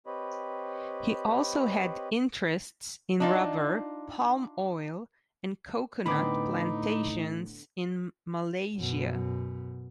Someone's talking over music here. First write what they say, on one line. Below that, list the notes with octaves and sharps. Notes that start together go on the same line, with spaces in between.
He also had interests in rubber, palm oil and coconut plantations in Malaysia.
C4 G4 B4 C#5 D#5 B5
D4 D#4 F4
A2 D3 B3 C4 D#4 B5 D6
F#2 B2